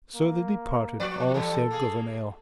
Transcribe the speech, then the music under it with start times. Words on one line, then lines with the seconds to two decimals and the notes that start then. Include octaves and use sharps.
So they departed all save Gouvernail.
0.15 A#3
1.00 F3 B4 D5
1.34 E3 G3 A4
1.71 A#3 G#4